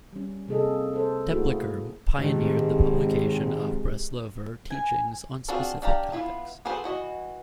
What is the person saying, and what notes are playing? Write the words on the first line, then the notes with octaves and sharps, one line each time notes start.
Tepliker pioneered the publication of Breslover teachings on specific topics.
G3 C#4
C3 A#3 G#4 A4 D#5
A4 C5
A3 A#3 E4 F#4 G#4
G#2 C3 D#3 G#3 G4
G#5
C4 D4 F4 F#4 G#4
D4 G4 F5 A#5
B3 E4 F4
F#4 G#4 A4 B4 C5
E3 F#4 D#5